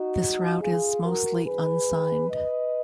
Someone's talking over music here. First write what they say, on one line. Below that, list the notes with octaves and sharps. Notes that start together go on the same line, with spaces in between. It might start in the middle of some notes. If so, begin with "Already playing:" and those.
This route is mostly unsigned.
Already playing: D#4 F#4
G#2 D#3
G#2 D#3 F4 G#4
F#2 D#3 F#4 A#4
F#2 D#3 G#4 B4
G#2 D#3
G#2 D#3 B4 D#5